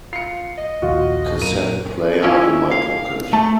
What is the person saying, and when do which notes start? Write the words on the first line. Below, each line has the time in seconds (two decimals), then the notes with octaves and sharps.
Cassette player in my pocket.
0.13 F4 C7 C#7
0.58 D#5
0.82 A#1 D#2 F4 F#4
1.42 F#2 A#2 A#4 D#7
2.24 C#4 E4 F4
2.71 F5
3.33 A3 A5